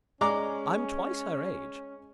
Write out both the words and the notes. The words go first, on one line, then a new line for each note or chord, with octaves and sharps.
I'm twice her age.
G#3 C#4 D5 A#5 D6